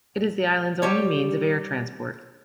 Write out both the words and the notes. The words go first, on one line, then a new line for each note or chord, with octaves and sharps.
It is the island's only means of air transport.
G3 G4 C#5